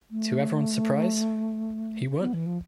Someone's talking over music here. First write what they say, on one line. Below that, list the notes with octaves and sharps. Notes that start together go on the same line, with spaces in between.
To everyone's surprise, he won.
A3
B3
E3
F3